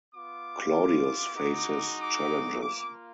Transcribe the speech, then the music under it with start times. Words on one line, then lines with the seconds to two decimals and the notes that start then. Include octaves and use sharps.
Claudius faces challenges.
0.13 B3 F4 D6
1.36 G#3 D#4 F#4
1.99 D6
2.61 A#3 F4 D6